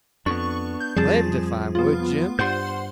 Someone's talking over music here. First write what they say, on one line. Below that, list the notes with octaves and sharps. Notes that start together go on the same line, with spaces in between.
"Blamed if I would, Jim."
F2 B3 D4 C#6
G6
F2 F3 G3 G#4 A5
B3 F4
G2 C5 F#5 C6 G6